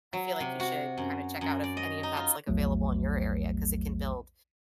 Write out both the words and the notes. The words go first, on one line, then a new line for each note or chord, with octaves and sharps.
I feel like you should kinda check out if any of that's, like, available in your area 'cause it can build,
F#3
C3
F#4
F#2
F#2
D5
D#5
D#4
F4
A#1 E2 F#3 A3